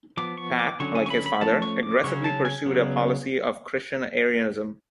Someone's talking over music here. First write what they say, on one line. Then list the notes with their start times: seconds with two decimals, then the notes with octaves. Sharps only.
Pap, like his father, aggressively pursued a policy of Christian Arianism.
0.17 F3 B3 D6
0.37 C#6
0.59 D6
0.80 D3 F#3 C#4 C#6
0.95 G#5
1.06 C#6
1.10 B5
1.26 B5
1.41 F3 A3 C#4 A5
1.62 C#6
1.83 D6
2.04 C#3 F#3 C#4 C#6
2.24 A5
2.45 G#5
2.66 C#3 F#3 B3